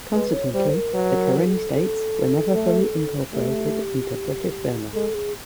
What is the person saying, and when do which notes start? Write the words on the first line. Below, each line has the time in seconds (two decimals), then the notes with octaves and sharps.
Consequently, the Karenni States were never fully incorporated into British Burma.
0.13 G#3 B4
0.33 C#5
0.53 G3 C5
0.74 A#4
0.93 F#3 B4
1.13 A#4
1.34 A#4
1.46 G#4
1.53 A4
1.73 A4
2.54 A3
3.33 A3 G4
4.94 G#3 A4
5.14 G#4